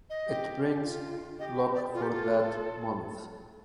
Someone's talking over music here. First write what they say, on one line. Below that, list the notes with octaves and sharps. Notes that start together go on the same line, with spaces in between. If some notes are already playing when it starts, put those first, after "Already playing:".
It brings luck for that month.
D#5
G4
F4
G4 D#5
D#5
D5
F4 A4
G4
F4